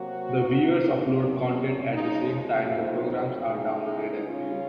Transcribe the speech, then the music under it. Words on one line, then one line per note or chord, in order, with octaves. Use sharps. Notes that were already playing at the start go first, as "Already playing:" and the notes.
The viewers upload content at the same time the programs are downloaded and viewed.
Already playing: C3 F#3 A#3 F#4
C3 F#3 A#3 D#4
A#2 F#3 C#4
F#2 C#3 F3 G#3 D#4
F4
F2 C3 F#3 C4 D#4
C#3 G#3 D#4
C#3 G#3 C#4 F4